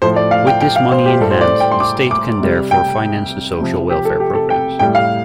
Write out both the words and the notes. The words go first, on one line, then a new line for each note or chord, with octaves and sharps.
With this money in hand, the State can therefore finance the social welfare programs.
A2 F3 C5
D5
F5
G5
G5
F5
C5
G4
A2 G3 A4
C5
D5
G5
C6
D6
D6
C3 G3
G5
C3 F3
G4
A4
G4
A4
G5
A2 G3 G5
F5